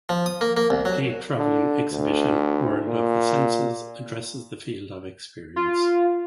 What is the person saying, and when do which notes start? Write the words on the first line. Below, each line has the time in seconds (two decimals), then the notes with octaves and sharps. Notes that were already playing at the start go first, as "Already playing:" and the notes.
A traveling exhibition World of the Senses addresses the field of experience.
0.09 F3
0.26 D#6
0.41 A#3
0.57 A#3
0.70 C2
0.85 F#3
1.38 D3
1.91 D2
2.87 A#2
5.56 F4